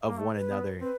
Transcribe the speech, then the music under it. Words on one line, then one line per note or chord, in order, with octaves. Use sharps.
of one another.
A#3
A3
B4
B3
C4 B4